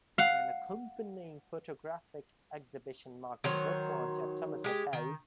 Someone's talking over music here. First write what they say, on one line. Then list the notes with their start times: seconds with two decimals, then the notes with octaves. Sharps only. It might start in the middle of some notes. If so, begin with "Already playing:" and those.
An accompanying photographic exhibition marked the book launch at Somerset House.
0.18 F5 F#5
3.44 D#3 F#3 C5 C#5
4.64 G#3 G4
4.93 D#3